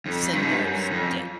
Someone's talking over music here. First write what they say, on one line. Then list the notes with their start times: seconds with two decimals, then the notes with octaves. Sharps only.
Sinners did?
0.06 F2
0.33 G2
0.42 G#2
0.50 G2
0.62 F#2
0.91 F2